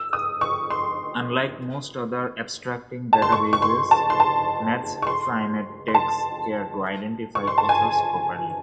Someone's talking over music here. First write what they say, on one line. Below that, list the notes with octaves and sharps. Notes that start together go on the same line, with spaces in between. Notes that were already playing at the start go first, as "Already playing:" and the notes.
Unlike most other abstracting databases, MathSciNet takes care to identify authors properly.
Already playing: E6
D#6
C#6
C6
A5
C6
C#6
C#6
C6
A5
C6
A5
C#6
C6
C6
A5
C#6
C6
A5
G#5